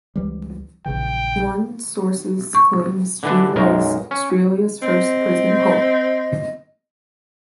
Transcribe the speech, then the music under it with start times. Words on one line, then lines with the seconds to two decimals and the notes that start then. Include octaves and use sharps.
One sources claims she was Australia's first prison hulk.
0.16 C#2 E3 G3
0.86 A#1 C#3 E3 G5
2.55 C#6
3.23 D3 E3 D4
3.56 B1 F#2 G#3 A#4
4.11 C#4
4.82 C4 D#5